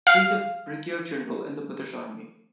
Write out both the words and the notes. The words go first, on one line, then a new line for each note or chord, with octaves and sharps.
He was a Brigadier-General in the British Army.
F5 F6